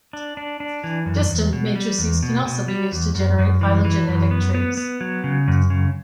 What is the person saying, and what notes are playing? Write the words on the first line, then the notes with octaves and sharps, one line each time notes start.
Distance matrices can also be used to generate phylogenetic trees.
D4
D4
D4
E3
F#2
E2
B2
G3
E2
B2
B2
G3
E2
F#2
F#2
E3
E3
F#2
B3
B3
B3
F#3
C#3
F#2
C#3